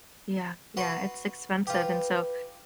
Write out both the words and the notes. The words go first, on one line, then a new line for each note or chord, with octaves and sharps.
Yeah, yeah it's expensive, and so
F#4 B4 C6
F4 G4 B4